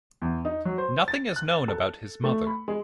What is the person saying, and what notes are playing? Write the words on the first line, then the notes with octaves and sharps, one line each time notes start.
Nothing is known about his mother.
E2
D#4
F#3
C5
A6
F#6
A4
A3
B5
G#3